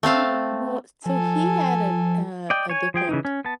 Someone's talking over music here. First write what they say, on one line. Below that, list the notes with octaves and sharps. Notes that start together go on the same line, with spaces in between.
Um, well, so he had a a a different,
A3 C4 F5 A5
F3 A4 G#5
D5 D#5 G5
C#5 G#5
F3 G#4 G5
C#3 E3 D#4
C#4
B3 A5